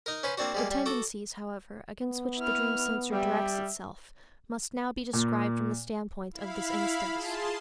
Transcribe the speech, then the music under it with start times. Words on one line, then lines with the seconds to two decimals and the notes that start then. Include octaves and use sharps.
The tendencies, however, against which the dream censor directs itself, must now be described from the standpoint of this instance.
0.06 D#4 A#4
0.23 C#4 B4 C5
0.38 A#3 C4 D4 F#4
0.54 G3 G#3 A#3
0.71 G3
0.86 F#4 A4 D6
2.02 B3
2.39 E4 F6
3.12 G3 E5
5.13 A#2
6.32 E4 F5 B5
7.11 F4 G#4 A5 C6